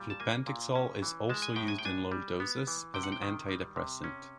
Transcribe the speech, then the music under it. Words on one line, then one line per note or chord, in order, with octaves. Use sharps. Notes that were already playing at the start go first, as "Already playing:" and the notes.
Flupentixol is also used in low doses as an antidepressant.
Already playing: A#2 G3
A5
A#3 G#5
A#2
C#4
E3
G#3 A5
G#5
A2 G5
G#5
G5
D4 G#5
G3
B3
E3
C3 G5
F#5
G5
D#3
G3
C3
C#4